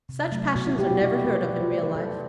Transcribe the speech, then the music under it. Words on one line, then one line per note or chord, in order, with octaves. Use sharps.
Such passions are never heard of in real life.
C3
F#3 A3
B2 F#4
E4
G3 G4
F#4
B2 E4
A3 B4
B2 D5
C5
A3 D5
C5
B2 A4